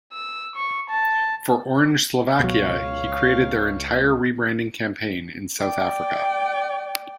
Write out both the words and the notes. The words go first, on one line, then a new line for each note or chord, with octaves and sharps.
For Orange Slovakia, he created their entire re-branding campaign in South Africa.
E6
C#6
A5
C#2 B2 F#3 C#5 F5
D5 G5